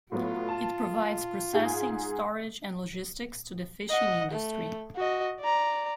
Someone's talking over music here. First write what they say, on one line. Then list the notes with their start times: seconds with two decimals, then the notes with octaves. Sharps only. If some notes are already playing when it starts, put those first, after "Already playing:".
It provides processing, storage, and logistics to the fishing industry.
0.12 A2 F#3 B3 F4
0.49 A5
1.53 G#2 G#4
3.90 D#5 F#5
4.32 A3
4.96 F#4 D#5
5.40 D5 A#5